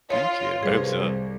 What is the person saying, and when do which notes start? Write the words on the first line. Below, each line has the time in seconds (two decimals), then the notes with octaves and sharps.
Thank you. I hope so.
0.10 F4 C#5
0.63 C2 G#4 B4